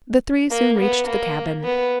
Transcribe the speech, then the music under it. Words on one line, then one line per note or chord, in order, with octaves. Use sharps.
The three soon reached the cabin.
A#3
B3
A#3
B3